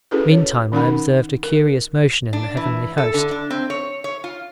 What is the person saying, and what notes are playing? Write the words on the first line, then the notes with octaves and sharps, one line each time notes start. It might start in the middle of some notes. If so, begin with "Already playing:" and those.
Meantime I observed a curious motion in the heavenly host.
C#4 E4 F#4 G#4 A4 B4
C#5
D#3 C#4 D#4 A#4 F#5 B5
A#4
D4
E3
A4
D3
D4
C4
C#5
C#5
F4